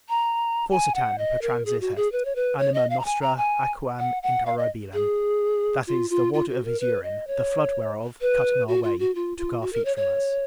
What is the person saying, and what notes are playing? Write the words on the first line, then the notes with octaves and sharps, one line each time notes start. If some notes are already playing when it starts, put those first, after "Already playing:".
Forsitan pertransisset anima nostra aquam intolerabilem; that is, the water of his urine, the flood whereof, cutting our way, took our feet from us.
A#5
G#5
F#5
D#5
A#4
G#4
F#4
G#4
B4
C#5
B4
C#5
D#5
F5
A#5
G#5
A#5
G#5
F#5
F#5
F5
D#5
G#4
F4
F4
F4
F#4
A#4
B4
D#5
C#5
B4
F#4
F4
F#4
F4
F4
F#4
A#4
C#5
C#5